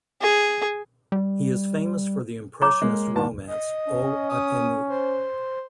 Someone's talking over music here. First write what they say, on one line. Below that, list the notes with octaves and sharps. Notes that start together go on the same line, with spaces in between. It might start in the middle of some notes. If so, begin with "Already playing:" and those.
He is famous for the Impressionist romance "O Ateneu".
G#4
G3
C#5 A#5 D6
G#3 A#3
D#2 G#2 A5
D#5
C#4
D#6
C5